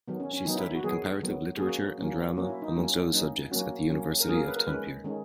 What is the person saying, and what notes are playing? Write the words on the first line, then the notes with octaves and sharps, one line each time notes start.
She studied comparative literature and drama, amongst other subjects, at the University of Tampere.
D#3 F#3 B3
C#4
C#4
D#3 F#3 B3 D#4
E4
F#4
D#3 F#3 B3 G#4
D#3 F#3 B3
G#4
F#3 A#3 C#4 F#4
F#3 A#3 C#4
F#3 A#3 C#4 F#4
E4
D#4
F#3 A#3 C#4
F#3 A#3 C#4 D#4
F#3 A#3 C#4 F#4
F#3 A#3 C#4
A#4
F#3 A#3 C#4 G#4
A#4
B4
A#4
D#3 G#3 C#4 B4
D#3 G#3 C#4